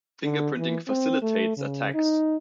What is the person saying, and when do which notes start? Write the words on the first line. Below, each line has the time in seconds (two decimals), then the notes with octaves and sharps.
Fingerprinting facilitates attacks.
0.24 D3
0.58 E3
0.88 C4
1.23 A3
1.57 C#3
1.94 D#4